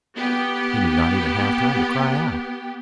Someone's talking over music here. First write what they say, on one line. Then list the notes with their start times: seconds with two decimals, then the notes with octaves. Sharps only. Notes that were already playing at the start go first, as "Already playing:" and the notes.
He did not even have time to cry out.
0.16 B3 G4